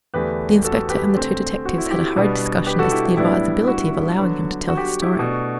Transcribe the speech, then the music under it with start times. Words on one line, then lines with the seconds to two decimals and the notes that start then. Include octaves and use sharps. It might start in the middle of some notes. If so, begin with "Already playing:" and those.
The Inspector and the two detectives had a hurried discussion as to the advisability of allowing him to tell his story.
0.14 E2 D3 A3 D4 G4 B4
0.64 F#4 A4
0.89 G4 B4
1.15 D3 A3 C4
1.65 F#4
1.78 E4
1.91 E4 G4
2.16 B2 G3 B3 D4
2.66 G4 B4
2.79 F#4 A4
2.91 E4 G4
3.05 F#4
3.16 A2 G3 B3 D4 E4
3.68 F#4
4.18 D3 F#3 B3
4.68 F#4
4.77 G4
4.85 F#4
5.02 E4 G4
5.19 B2 A3 D4 F#4